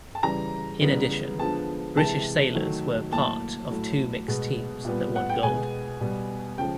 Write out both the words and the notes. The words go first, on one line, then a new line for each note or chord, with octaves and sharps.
In addition, British sailors were part of two mixed teams that won gold.
A5
C#3 E3 G3 A#5
C#3 E3 G3 B3
D3 F3 G#3 B3 A5
C3 E3 G#3 A5
D#3 F#3 A3
A2 F#3 A#3 A5
A2 F#3 A3
B2 G#3 B3
A#2 G3 B3
F#5
G5
B2 G#3 B3 G#5
B2 G3 B3
C#3 F3 G#3 G5